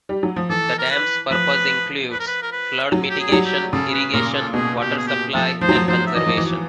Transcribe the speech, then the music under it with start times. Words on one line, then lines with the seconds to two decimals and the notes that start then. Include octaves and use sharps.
The dam's purpose includes flood mitigation, irrigation, water supply and conservation.
0.09 G3
0.23 F#3
0.36 F3
0.50 E3 A4
0.79 A#4
0.91 B4
1.31 F3 B4
2.12 B4
2.20 A#4
2.27 B4
2.42 A#4
2.52 B4
2.92 F#3
3.10 G4
3.20 G#4
3.29 G3
3.32 F#3
3.46 G4
3.73 C#3 A4
3.93 B4
4.13 A#2 A#4
4.34 A4
4.54 B2 G#4
4.81 G4
4.97 G#4
5.07 G4
5.35 F3 A4
5.61 F3 C5
5.69 F#3
5.75 F3
5.88 F3 C5
6.07 E5
6.15 E3 D#5
6.26 F3
6.37 E3